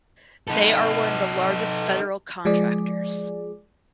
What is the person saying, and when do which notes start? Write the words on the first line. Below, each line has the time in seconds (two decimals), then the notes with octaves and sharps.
They are one of the largest federal contractors.
0.48 D#4 A4
2.45 F3 G#3 G#4 D5